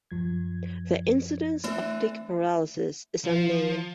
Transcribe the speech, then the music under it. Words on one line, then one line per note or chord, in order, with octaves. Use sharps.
The incidence of tick paralysis is unknown.
F#2 F3 G#6
E3 A3 C4 D4
F3